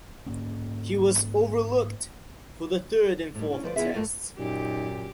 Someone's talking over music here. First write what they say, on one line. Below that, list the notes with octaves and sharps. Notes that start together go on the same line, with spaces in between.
He was overlooked for the third and fourth tests.
G#2 A#3 C#4
A2 G3
C#4 D4
D2 F3 B4 D5
E3 B3 E4 F4 G#4 E5
F#2 A3 A#3 F4
F#2 A#2 D#4 G4